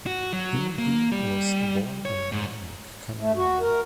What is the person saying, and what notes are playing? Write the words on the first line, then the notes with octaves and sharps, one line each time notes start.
Booh-Booh was born in Manak, Cameroon.
F#4
F#3
A#3
G3
C#5
G#2
A3
F#4
A#4